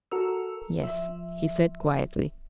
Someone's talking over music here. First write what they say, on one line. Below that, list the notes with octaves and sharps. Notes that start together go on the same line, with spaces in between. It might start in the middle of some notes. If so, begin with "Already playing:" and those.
"Yes," he said quietly.
F#4 A4 A#4 E6
F3 E5